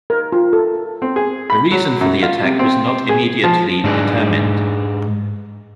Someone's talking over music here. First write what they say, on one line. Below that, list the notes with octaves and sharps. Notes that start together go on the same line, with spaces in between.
A reason for the attack was not immediately determined.
A#4
F4
A4
C4
G#4
B5
F#3
F#2
F4
C3
C4
G#4
F3
G#2 C4 D4 G#4 B4 D#5